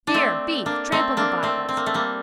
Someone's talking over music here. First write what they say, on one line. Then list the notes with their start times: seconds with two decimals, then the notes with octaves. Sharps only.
Beer, beef, trample the bibles.
0.07 D4
0.14 A3 C4
0.66 A#3 D4
0.92 A3 C4
1.17 A#3 D4
1.43 A3 C4
1.69 C4
1.77 A#3
1.86 A3
1.94 G3 A#3